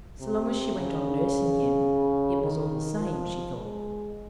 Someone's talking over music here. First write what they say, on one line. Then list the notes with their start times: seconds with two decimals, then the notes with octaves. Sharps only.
So long as she went on nursing him, it was all the same, she thought.
0.20 C3
0.76 C#3
2.43 D#3
2.99 F3
3.56 G#3